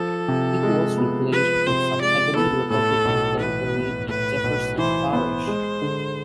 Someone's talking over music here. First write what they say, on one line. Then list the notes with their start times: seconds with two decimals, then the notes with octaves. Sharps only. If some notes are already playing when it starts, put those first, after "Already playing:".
It was replaced with some heavily Republican territory in Jefferson Parish.
Already playing: F3 A4
0.28 C3
0.63 G#3
0.97 B3
1.32 F3 B4
1.67 C3 C5
2.01 G#3 D5
2.36 B3 A4
2.70 A2 A4
3.05 B1
3.40 E3 B4
3.75 B3
4.08 A2 B4
4.44 B1
4.78 E3 C5
5.13 B3 C5
5.47 G#3
5.82 D3